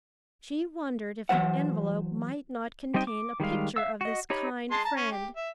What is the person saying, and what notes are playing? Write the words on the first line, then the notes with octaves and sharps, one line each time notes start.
She wondered if the envelope might not contain a picture of this kind friend.
E3 F#3 C5 F#5
G3 C4 D#4 D#5 G5
D6
D#3 G3 G#3 F5
E5 F5 E6
F#4 D#5
D#4 G4 C#5 A#5 B5
G#3 A5 C6
A5 A#5
C#4
G4
E5